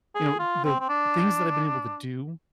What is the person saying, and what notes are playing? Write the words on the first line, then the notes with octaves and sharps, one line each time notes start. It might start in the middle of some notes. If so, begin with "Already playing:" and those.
you know, the things that I've been able to do,
G#4
F4
C4
C4
D4